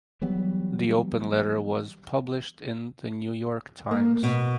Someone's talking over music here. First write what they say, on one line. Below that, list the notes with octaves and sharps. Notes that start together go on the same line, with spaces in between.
The Open Letter was published in The New York Times.
E3 F#3 G3 B3
A#3
B2